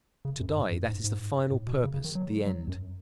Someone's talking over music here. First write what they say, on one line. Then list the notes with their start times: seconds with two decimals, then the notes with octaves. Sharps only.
To die, that is the final purpose, the end.
0.25 C#3
0.41 F#2
0.56 G#2
0.72 F#2
0.88 G#2
1.04 G#2
1.51 A2
1.67 B2
1.84 C#3
1.94 C#3
2.05 D#3
2.15 F#3
2.46 F#3
2.68 F#2